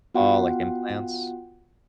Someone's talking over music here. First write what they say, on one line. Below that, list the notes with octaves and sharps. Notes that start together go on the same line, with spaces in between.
Oh, like implants?
B3 F4 F#4 F#5 G5